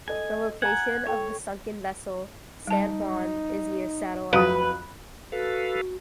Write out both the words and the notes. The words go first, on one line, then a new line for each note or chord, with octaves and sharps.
The location of the sunken vessel "San Juan" is near Saddle Island.
A4 D#5 G#5
F#5 G#5 A#5 G#6
A4 C#5 G5
G3 D#4 A5
F2 F#3 B4 F5 D#6
F#4 A4 B4 F5